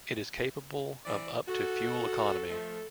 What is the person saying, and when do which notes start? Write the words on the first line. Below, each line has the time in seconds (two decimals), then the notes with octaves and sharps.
It is capable of up to fuel economy.
1.05 E3 C4 D5
1.47 F#4 A4
2.50 F3 A3